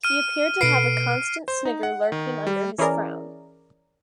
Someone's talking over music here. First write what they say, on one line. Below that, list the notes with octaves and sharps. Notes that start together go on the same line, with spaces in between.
He appeared to have a constant snigger lurking under his frown.
F6 D#7
B2 A4 B4 C7 D7 D#7
C5
D#4
F#5
D#3
G3
E3 C#4 E4 G#4 A#4 D5